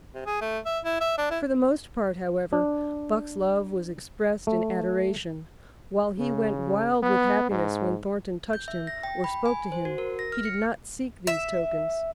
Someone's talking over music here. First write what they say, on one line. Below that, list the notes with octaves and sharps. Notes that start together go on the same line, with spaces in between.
For the most part, however, Buck's love was expressed in adoration. While he went wild with happiness when Thornton touched him or spoke to him, he did not seek these tokens.
C3
G#4
A3
E5
E4
E5
D4
E4
D4
A3
C#3
B3
G#2
G6
E5
A#6
G5
B5
G#5
C5
F#4
A#4
A#6
F6
C#7
E5